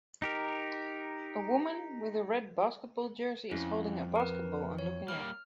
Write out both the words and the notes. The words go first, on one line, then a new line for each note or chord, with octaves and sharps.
A woman with a red basketball jersey is holding a basketball and looking up.
D#4 G4 A#4
F2 C#4 E4
A#4 B4
C#5
G3 A#3 F6